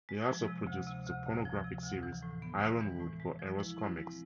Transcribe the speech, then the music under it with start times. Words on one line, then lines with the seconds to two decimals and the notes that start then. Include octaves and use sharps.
He also produced the pornographic series "Ironwood" for Eros Comix.
0.09 G#3
0.28 F3
0.48 C3
0.67 D2
0.87 C3
1.06 D2
1.26 D2
1.45 F3
1.64 C3
1.84 D2
2.03 E3
2.23 A2
2.42 B3
2.61 G#3
2.81 E3
3.00 A2
3.20 G#3
3.39 F3
3.59 E4
3.79 C4
3.97 G#3